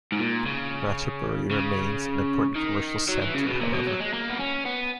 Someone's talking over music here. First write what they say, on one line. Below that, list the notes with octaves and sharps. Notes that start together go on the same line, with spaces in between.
Ratchaburi remains an important commercial centre, however.
G#2
A#2
C#3
C#3
D#3
F#3
E3
C#3
B2
A#2
B2
F#3
G#3
A#3
B3
C#4
B3